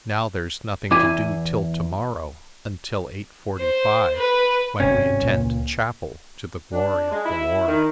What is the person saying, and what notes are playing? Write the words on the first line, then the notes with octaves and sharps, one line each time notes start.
Now there's nothing to do till to-morrow until eight forty-five when we attend chapel to the glory of the Lord.
E2 E4 G#5 D6
C5
B4
G#1 G2 C3 C#4
C#2 A#2
D4
G#3
E4
D#3